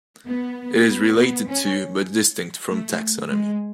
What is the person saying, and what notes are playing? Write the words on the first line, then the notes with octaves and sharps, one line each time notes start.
It is related to, but distinct from taxonomy.
B3
B3
B3
C#4
A3
G#3